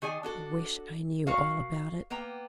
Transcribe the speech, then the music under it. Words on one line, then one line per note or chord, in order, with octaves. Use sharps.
I wish I knew all about it.
D#3 G#4 D5 G#5
D4 F#4 A4
F#4 A#4 C#5 F5
A#3 B3 G5 A#5